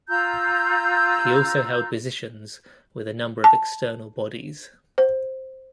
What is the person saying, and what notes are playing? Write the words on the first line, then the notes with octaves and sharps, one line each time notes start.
He also held positions with a number of external bodies.
F4 A#5 E6 G6
A5
C5